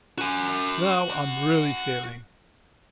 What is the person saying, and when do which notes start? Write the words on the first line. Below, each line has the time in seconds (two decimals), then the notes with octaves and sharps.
Now I'm really sailing.
0.18 F#4 G#5